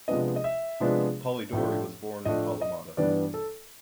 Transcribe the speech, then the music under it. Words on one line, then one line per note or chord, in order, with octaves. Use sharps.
Polydouri was born in Kalamata.
C3 F3 G#3 B3 D4 D#5
D#5
E5
C3 F3 G#3 B3 D4
A2 F3 A3 D4
A2 F3 A3 D4 D#5
D#5
G2 E3 G3 B3 D4 D5
A4